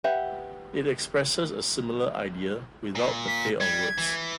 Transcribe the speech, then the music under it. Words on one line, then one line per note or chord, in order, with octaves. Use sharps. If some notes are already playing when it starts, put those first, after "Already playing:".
It expresses a similar idea without the play on words.
G4 B4 E5 F#5
A#2
B6
G3 G#6
E3